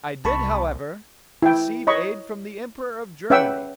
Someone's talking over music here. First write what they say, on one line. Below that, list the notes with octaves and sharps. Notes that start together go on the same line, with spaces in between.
I did, however, receive aid from the Emperor of Germany.
C2 A5 B5 C#6
E4 G5
C#5 D#5 B5 C#6
C#4 B4 E5 F#5 G5 E6